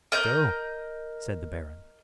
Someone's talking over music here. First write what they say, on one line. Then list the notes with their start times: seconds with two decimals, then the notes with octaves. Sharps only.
"So?" said the Baron.
0.12 A#4 D#5 G6